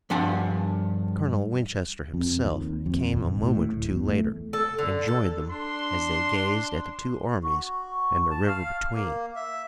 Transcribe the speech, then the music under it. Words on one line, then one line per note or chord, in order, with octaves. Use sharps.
Colonel Winchester himself came a moment or two later and joined them as they gazed at the two armies and the river between.
G2 F3 D4 F#5 G#5
F2
D#2
F2
D#1
A2
D1
E2
A3
A4
D3
A4
D4 C6
F#4
A5
F5
A#3
E5